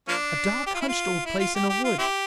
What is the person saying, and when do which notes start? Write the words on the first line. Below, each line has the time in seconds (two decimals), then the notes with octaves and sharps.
A dark hunched old place in a wood.
0.08 F3 A#3 D4
0.67 G4
0.75 F4
0.81 E4
0.89 F4
1.26 E4
1.40 F4
1.55 G4
1.69 G4
1.84 F4
1.99 C4 E4 G4